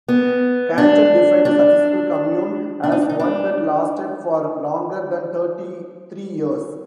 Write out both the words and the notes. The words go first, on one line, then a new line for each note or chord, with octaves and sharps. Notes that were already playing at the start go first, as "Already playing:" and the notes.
Kanter defined a "successful" commune as one that lasted for longer than thirty-three years.
B3
D4
D4
D4
D#4
D4
D#4
D4